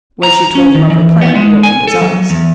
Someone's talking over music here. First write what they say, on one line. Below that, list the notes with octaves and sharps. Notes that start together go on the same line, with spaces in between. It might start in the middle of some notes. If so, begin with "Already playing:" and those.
When she told him of her plan he opened his eyes.
A#5
C#4
D#3
E3
B3
G#3
G#5
A4
F#3
E2